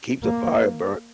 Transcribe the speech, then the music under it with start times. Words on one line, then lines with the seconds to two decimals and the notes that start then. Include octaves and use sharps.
Keep the fire burn
0.24 A#3